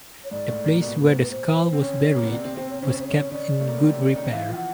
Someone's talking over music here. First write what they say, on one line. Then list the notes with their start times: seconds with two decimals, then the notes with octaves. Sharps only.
The place where the skull was buried was kept in good repair.
0.24 C#5
0.31 G#2 G#3 D5
0.48 A2 A3
0.64 A#2 A#3
0.81 B2 B3 D5
1.06 C5
1.19 B4
1.31 C5
1.73 C4
1.81 C#3 C#4 C#5
2.16 A#3
2.23 B3
2.31 C3 C4 D5
2.45 C3 C4
2.57 C3 C4 C5
2.70 C#5
2.81 C#3 C#4 C5
3.00 C5
3.07 C#5
3.32 C#3 C#4 D5
3.60 A3
3.67 A#3
3.75 B3
3.82 C3 C4
3.98 C#3 C#4
4.15 D#3 D#4
4.32 E3 E4 F5
4.49 F3 F4 G5
4.57 F#5